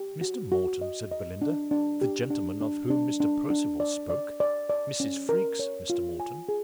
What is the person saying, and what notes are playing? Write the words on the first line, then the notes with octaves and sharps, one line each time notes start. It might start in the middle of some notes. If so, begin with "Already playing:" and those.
"Mr. Moreton!" said Belinda, "the gentleman of whom Mr. Percival spoke, Mrs. Freke's Mr. Moreton?"
Already playing: G4
F#4
F#4
D#5
D#5
D4
D4
G4
D4
D4
D4
D4
D4
D5
D5
D5
D5
C#4
A#4
C#5
F4
G#5
G#4